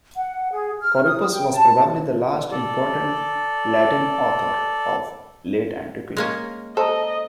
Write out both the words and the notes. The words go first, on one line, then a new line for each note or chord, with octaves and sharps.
Corippus was probably the last important Latin author of Late Antiquity.
F#5
G#4
F6
D#6
G5
A5
A4 D5
G#3 A#3 C#4
A4 C5 D#5 A#5